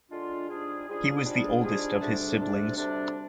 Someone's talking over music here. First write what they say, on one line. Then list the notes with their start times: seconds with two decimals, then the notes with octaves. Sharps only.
He was the oldest of his siblings.
0.11 D3 G#3 D4 F4
0.49 G#2 G3 D4 F4 G#4
0.87 G#2 G3 D4 F4 G#4
1.25 G#2 G3 D4 F4 G#4
1.63 G#2 G3 D4 F4 G#4
2.01 D2 C3 G3 D4
2.39 D2 C3 G3 D4
2.77 D2 C3 G3 D4